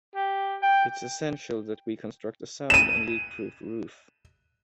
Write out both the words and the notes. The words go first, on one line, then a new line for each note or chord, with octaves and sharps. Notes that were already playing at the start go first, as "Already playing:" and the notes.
It's essential that we construct a sound and leakproof roof.
G4
G5
D#7 E7